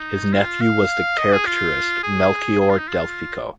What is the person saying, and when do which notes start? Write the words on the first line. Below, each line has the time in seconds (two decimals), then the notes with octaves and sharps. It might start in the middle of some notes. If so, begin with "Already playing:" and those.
His nephew was the caricaturist Melchiorre Delfico.
Already playing: D#4
0.33 F4
0.61 F5
1.18 D#5
1.32 G#4
1.46 F4
2.03 G#4
2.60 G#4
2.70 F4
2.78 D#4
2.88 F4